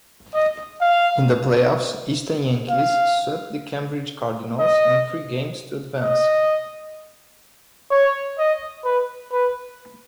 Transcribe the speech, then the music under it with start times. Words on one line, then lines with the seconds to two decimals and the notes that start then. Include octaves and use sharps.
In the Playoffs Easton Yankees swept the Cambridge Cardinals in three games to advance.
0.34 D#5
0.81 F5
2.70 F5
4.60 D#5
6.02 D#5
7.91 C#5
8.39 D#5
8.85 B4
9.32 B4